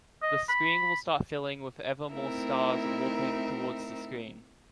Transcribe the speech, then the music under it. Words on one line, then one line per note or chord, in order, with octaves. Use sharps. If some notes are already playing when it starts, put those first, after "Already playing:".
The screen will start filling with ever more stars warping towards the screen.
D#5
B5
A3 C4 D#4 E4 A#4 E5